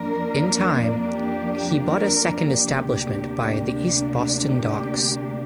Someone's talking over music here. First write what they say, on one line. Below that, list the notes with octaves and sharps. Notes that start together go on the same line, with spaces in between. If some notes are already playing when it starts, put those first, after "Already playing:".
In time, he bought a second establishment by the East Boston docks.
Already playing: F2 F3 A#3 D4 A#4
G4
A#4
G4
D2 C3 A#3 D4
G4